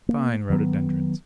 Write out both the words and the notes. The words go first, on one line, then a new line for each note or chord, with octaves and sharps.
Fine rhododendrons.
A#3
D#3 F#3 A3 B3